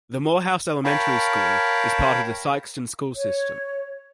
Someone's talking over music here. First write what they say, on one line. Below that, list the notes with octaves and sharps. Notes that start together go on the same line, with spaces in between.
The Morehouse Elementary School is part of the Sikeston school system.
A#4 C#5 F5 G5 A5 B5
C#5